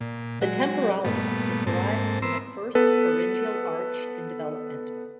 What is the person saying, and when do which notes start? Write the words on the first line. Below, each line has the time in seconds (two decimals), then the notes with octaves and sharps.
The temporalis is derived from the first pharyngeal arch in development.
0.01 A#2
0.41 F#3 G#3 F#4
1.04 G2 A#2 A3 B3
1.67 G#2 A#3 C4 A4
2.22 B3 A#4 C5 C6 E6
2.75 B3 A4 B4